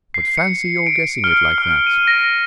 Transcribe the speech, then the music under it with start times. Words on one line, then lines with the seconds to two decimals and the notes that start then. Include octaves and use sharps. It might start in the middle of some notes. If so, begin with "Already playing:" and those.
But fancy your guessing it like that.
0.14 C7
0.37 C#7
0.87 D7
1.24 F6
1.58 F6
1.87 D#7
2.08 A#6